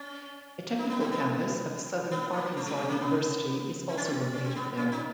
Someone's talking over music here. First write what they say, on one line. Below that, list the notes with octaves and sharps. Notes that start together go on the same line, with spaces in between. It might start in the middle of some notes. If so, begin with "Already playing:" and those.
A technical campus of Southern Arkansas University is also located there.
Already playing: C#4
D#4
B3
C4
B3
B3
A#3
A3
G#3
A3
A#3
B3
C4
C#4
C4
C#4
C4
B3
C#4
D#4